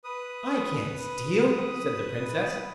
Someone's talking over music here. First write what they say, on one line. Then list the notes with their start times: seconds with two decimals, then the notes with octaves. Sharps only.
'I can't steal', said the Princess.
0.04 B4 D#6